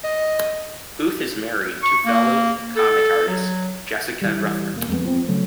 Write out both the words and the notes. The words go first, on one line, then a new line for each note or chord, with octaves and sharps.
Booth is married to fellow comic artist Jessica Ruffner.
D#5
C#6
A#3
A4
F#3
E3 G3
E1 A#3
F2 G#3 B3
F3 C4
C#3 F#3 A3 C#4